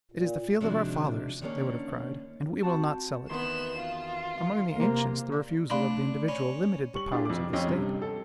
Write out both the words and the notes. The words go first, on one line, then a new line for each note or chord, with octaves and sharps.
"It is the field of our fathers," they would have cried, "and we will not sell it!" Among the ancients, the refusal of the individual limited the powers of the State.
A#2
C3 D#3 F3 G#3 D4 F#4
D3 D#3 G3 A#3 C#4 D4
C4 F#4 A5
E2 D#3 B3 C6 E7
F4
C3 A#3 A#4
D5
A3 D4 B5 C6
C#4 B5
G3 C#6 F#7
D4 E4 F4 G4 G#4
F2 D6
F2 C#4 F4 D#5 G5
G2 C3
A4